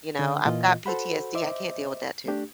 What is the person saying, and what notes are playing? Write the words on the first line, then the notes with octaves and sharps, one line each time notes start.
you know? I've got PTSD, I can't deal with that too.
D3 D4
A#2 E3 F4 D#5
F#4 A4 C5 F#5 B5
C5 D#5 E5 D6
A3 D4 G4